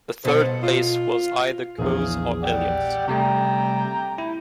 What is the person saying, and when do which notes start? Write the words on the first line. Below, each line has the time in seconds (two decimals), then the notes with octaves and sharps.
The third place was either Coe's or Elliott's.
0.25 B2 A4 C5 F#5
0.63 F4
1.79 A#1 E2 G#4 F5
2.42 G4 D5 F#5
3.08 C3 G3 A3 G4 G5 A#5
4.18 E4